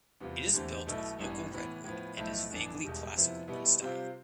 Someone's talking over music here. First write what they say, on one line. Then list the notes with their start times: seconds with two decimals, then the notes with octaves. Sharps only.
It is built of local redwood and is vaguely Classical in style.
0.20 E2 C3 G3 B3 F4
0.53 E2 D3 A3 C4 G4
0.86 B1 B2 A3 E4 A4
1.19 A1 G2 E3 B3
1.51 A2 E3 B3
1.84 A2 F3 B3
2.17 B1 A2 F3 A3 E4
2.50 G1 F2 E3 B3 D4
2.82 E1 E2 B2 G3
3.15 F2 C3 F3 B3 E4
3.47 B2 G3 B3 E4
3.81 C3 G3 C4 F4